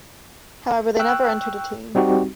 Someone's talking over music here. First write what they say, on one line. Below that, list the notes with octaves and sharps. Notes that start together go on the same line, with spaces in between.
However, they never entered a team.
G5 C#6 E6 F#6
G3 C4 D#4 F#4 G4